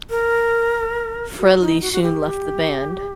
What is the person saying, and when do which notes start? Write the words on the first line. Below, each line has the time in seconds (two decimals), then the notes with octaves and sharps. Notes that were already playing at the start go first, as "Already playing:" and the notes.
Frehley soon left the band.
0.10 A#4
1.38 F#4
1.61 D#4
1.82 F#4
1.93 F#4
2.02 G4